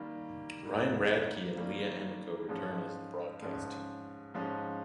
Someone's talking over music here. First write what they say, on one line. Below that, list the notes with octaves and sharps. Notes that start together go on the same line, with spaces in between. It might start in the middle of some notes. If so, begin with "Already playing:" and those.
Ryan Radtke and Leah Amico return as the broadcast team.
Already playing: D#3 G3 A#3
D#3 G3 A#3
D#3 G3 A#3
G#2 F3 G#3 C#4
G#2 F3 G#3 C#4
G#2 F3 G#3 C#4